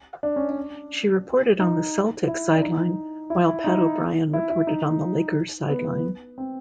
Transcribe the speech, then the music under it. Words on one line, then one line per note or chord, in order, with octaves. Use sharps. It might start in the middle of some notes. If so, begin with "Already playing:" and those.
She reported on the Celtics' sideline while Pat O'Brien reported on the Lakers' sideline.
D4
C#4
D4
D#4
E4
D4
D#4
E4
E4
D#4
E4
E4
D#4
B3
C4